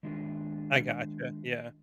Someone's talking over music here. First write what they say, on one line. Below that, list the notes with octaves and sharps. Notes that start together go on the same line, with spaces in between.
I gotcha, yeah.
D#3 G#3 D4 F4